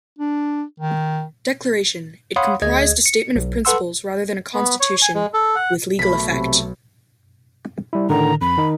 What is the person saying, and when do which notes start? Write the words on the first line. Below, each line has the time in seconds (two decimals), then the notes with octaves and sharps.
Declaration, it comprised a statement of principles rather than a constitution with legal effect.
0.19 D4
0.80 D#3
2.36 C#5 F5 F#5 B5 C6 D#6
2.62 D2 G#4 D#5 G#6
3.06 C#7
3.36 B1
3.65 A4 B4 F#5 C6 E6
4.54 B3
4.80 C#5
5.02 G#5
5.15 G#3
5.34 A4
5.56 F#5
5.99 B1 A3 B5
6.29 C3
7.93 G3 E4
8.10 A2 D3 D#3 A#5
8.41 F2 B5
8.57 D#3 D#4